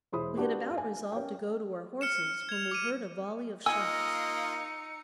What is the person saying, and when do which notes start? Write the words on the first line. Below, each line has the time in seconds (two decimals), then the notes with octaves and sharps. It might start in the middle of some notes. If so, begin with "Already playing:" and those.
We had about resolved to go to our horses when we heard a volley of shots.
0.12 E1 G#3 E4 C5 B5 D#6
0.36 B3 D4 F#4 G4 A#4 B4
0.78 G#5
1.12 C#4 A#4 G5
2.01 F6 C#7 E7
2.49 G#6 F7
2.71 D6 D#7
3.66 A#3 D#4 F4 D#5 G#5 E6 C#7